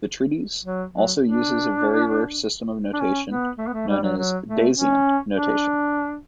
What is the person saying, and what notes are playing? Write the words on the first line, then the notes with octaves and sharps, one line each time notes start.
The treatise also uses a very rare system of notation, known as Daseian notation.
F#3
F#3
D4
D4
C#4
B3
A3
B3
A3
G3
F#3
F#3
A3
C#4
D4